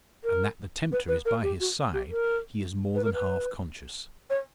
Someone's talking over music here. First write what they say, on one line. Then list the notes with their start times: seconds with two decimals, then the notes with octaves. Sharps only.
And that the tempter is by his side he is more than half conscious.
0.24 A#4
0.92 B4
1.08 B4
1.25 A#4
1.43 G4
1.60 F#4
1.93 G4
2.11 A#4
2.95 B4
3.04 A#4
3.13 B4
4.30 C#5